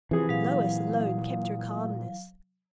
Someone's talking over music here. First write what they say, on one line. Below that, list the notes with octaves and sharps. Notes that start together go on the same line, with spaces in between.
Lois alone kept her calmness.
C3 E3 F3 G#4
A#2 F#3 F5